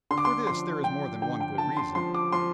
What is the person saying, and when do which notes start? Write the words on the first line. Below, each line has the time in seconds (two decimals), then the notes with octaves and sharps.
For this there is more than one good reason.
0.11 D3 C6
0.18 D6
0.25 C6
0.47 F3 C6
0.84 F3 G5
1.22 D3 G5
1.41 G5
1.58 D3 A5
1.77 C6
1.95 F3 C6
2.14 D6
2.32 F3 C6